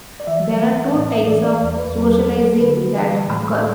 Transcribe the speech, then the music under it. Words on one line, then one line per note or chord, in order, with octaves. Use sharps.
There are two types of socializing that occur.
D5
E3 E5
E3
A2
E5
E3 D5
D5
E2 D5
B4
F#3 A4
A4
F#3
B4
A4
D3 B4
F#4
B4
E3 D5
A2